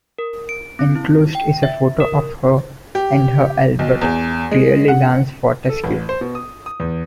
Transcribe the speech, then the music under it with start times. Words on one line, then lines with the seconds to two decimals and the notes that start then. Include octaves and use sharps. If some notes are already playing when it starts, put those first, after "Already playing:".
Enclosed is a photo of her and her Albert, clearly Lance Fortescue.
0.19 A#4
0.49 D7
0.79 C4
0.95 E4
1.35 G5
1.63 E5
2.00 A#4
2.95 G4
3.79 B1
4.01 E2
4.51 G#3
4.88 F#5
5.69 A4
5.84 A1
6.09 C5
6.21 B2
6.35 D#6
6.66 D#6
6.80 E2